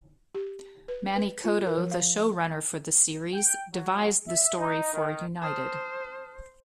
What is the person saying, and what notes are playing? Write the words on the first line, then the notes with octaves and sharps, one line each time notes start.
Manny Coto, the showrunner for the series, devised the story for "United".
G4
B4
B4
F4
A#4
F3
F5
G5
F#3
E5
D#4
D#3
C5 A5 D#6 F6